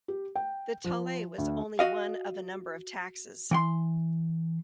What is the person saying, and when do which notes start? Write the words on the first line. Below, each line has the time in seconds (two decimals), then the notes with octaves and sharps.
The taille was only one of a number of taxes.
0.08 G4
0.36 G5
0.84 F3
1.38 D2
1.79 F#4 D#5 F5
3.51 E3 G5 C6